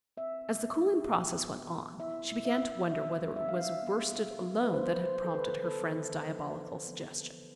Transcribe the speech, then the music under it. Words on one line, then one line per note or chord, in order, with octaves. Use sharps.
As the cooling process went on she began to wonder whether it was worsted alone that had prompted her friend's diabolical suggestion.
C4 E5
B2
G3
B2
B3
B2
E4 E5
B2
E5
B3
B2 E5
G3
E5
D4 F5
E5
B3
B2
G3
B4
D3 C5
F3 C5
A4
D3 B4
B3 A4
D3
F3
E3
B3
E3